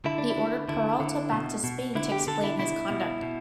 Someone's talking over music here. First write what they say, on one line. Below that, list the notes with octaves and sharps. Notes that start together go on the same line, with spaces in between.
They ordered Peralta back to Spain to explain his conduct.
D3 E4
D4
E4
D3
D3 E4
D3
B2
B2
D3 E4
G4
D3 A4
E4
B2 E4
B2
B2